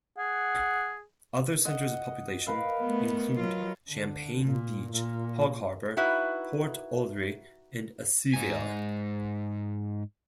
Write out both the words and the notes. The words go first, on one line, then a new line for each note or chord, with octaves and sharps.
Other centers of population include Champagne Beach, Hogharbour, Port Olry, and Aseviah.
G#4 F#5
D#5 F#5
A#4 B4 F5
A3 B3
F#3 F4
D3
A#2
A#2
D#4 E4 F#4 B4 E5
G#2 G#5